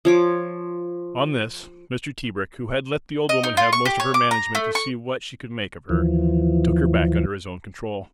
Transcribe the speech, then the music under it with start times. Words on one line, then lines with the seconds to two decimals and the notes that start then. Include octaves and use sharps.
On this, Mr. Tebrick, who had let the old woman have most of her management to see what she could make of her, took her back under his own control.
0.05 F3 C#5 D6
3.29 D#5
3.44 D#4
3.57 F4
3.73 C#6
3.85 G4
4.00 C#5
4.14 D6
4.31 A#5
4.55 A3
4.75 C#6
5.89 D#2 E3 F3